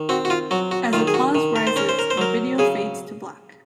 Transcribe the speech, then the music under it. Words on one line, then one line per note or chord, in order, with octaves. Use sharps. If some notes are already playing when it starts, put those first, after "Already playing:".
As applause rises, the video fades to black.
Already playing: D#3
C4 F#4
F#4
F4
F#3 F#4
F#4
D#3 F4
G#4
F#4
D#3
A#4
C5
C#4 A#4
C5
A#4
C5
F#3 A#4
C#3 G#4